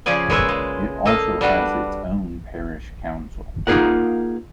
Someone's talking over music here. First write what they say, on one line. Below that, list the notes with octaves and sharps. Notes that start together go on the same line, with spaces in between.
It also has its own Parish Council.
C#3 F3 C#4 G#4 D5 G#5
G#3 A#3 F4 B4 C#5 E5
G#3
A#3 A4 D#5 F5
G3 D4 F#4 B4
A#3 D#4 F4 G#4 A#4 F#5